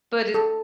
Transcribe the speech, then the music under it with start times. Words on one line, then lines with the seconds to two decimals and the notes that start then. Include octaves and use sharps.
But it
0.34 A4